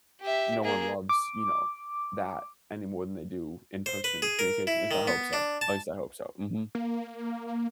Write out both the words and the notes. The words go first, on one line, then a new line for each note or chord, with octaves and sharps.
no one loves, you know, that any more than they do in-person communication at least I hope so. At least I hope so, mhm.
G4 E5
A#3 G#4
D6
C5
B4
G#4
A#4
E4
D#3
B3
D4
A5
A#3